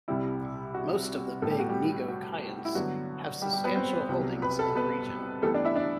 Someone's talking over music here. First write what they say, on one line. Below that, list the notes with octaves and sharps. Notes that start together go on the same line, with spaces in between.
Most of the big negociants have substantial holdings in the region.
C2 C3 G3 E4
F#4
A2 G3 B3 A4
G4
F#4
G3 G4
F#4
E4
G2 D3 F#3 B3 F#4
G3 G4
G3 G4
B3 B4
C4 C5
C2 C3 F#3 B3
B4 B5
A4 A5
B3 B4
G2 E3 G3 A3 B3 A4
D4 D5
E4 E5
D4 D5